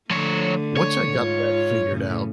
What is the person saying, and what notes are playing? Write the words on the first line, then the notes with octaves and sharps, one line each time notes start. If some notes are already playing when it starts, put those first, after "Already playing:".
once I got that figured out
D3 F3 A3 C#5
C#5
G#2 F4
A2 C#3